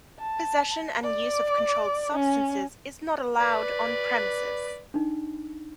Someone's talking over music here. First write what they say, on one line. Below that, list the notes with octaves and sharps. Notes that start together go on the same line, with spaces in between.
Possession and use of controlled substances is not allowed on premises.
A5
D5
C#4
B4 D5
D4 D#4